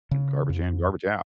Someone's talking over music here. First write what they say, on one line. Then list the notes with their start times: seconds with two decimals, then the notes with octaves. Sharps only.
"Garbage in, garbage out."
0.11 C#3
0.50 F2